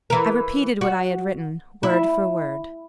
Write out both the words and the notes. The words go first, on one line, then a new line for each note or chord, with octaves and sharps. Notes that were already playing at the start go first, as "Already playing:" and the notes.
I repeated what I had written, word for word.
E3 A#4
F#4
E4